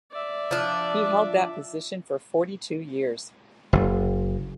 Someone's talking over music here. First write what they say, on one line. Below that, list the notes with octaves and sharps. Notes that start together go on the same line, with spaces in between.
He held that position for forty-two years.
D5 E5
F3 D4
F#1